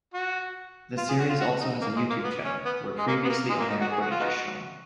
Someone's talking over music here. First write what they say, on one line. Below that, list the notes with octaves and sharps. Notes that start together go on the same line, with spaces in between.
The series also has a YouTube channel, where previously unaired footage is shown.
F#4
F4
G#4
F#4
F4
F#4
D#4
A#3
G#3
A#3
B3
C#4
B3
G#3
A#3
B3
A#3
G#3
A#3
D#4
F#4
G#4
F#4
F4
B3 D#4 F#4